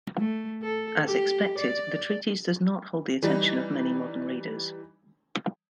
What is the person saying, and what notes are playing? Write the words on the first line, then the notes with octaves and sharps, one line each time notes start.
As expected, the treatise does not hold the attention of many modern readers.
A3
A4
G4
D5
E3 G3 D#4